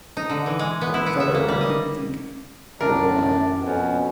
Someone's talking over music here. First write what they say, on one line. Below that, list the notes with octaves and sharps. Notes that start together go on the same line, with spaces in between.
"Black fellow hab big tink," he replied.
D#4
D3
E3
G#3
B3
E4
B3
E5
A#3
G3
D#5
F#2 A2 D4 A#4
F2 B2 C#4